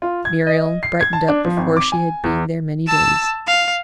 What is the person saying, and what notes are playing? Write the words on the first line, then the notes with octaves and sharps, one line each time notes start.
Muriel brightened up before she had been there many days.
F4
G#6
D#5
C7
G#6
A5
D4
F3
G#1
D6
G#5
E2
A5 E6
F5